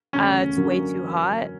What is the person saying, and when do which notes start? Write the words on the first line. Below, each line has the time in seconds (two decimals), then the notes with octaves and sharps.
Uh, it's way too hot.
0.13 E1 D2 C#3 C#4
0.56 F#2 D3 F#3 A#3